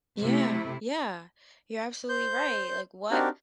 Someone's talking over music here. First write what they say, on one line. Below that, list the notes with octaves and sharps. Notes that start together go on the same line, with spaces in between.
Yeah. Yeah. You're absolutely right. Like, what
C3 A3 E4
C5 G6
C4 D4 D#4 F#4 G4 A#4